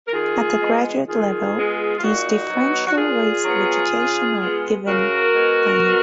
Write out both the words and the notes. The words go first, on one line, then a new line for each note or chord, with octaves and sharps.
At the graduate level, these differential rates of education are even higher.
A#4
D#3 F4 G#4
G#3 B3
D#3 F4 G#4
G#3 B3
F4
A#2 D#4 F#4
F#3 B3
F#4
A#2 F4 G#4
F#3 B3
C#3
G#3 B3
C#3 F#4 A#4
G#3 B3
B2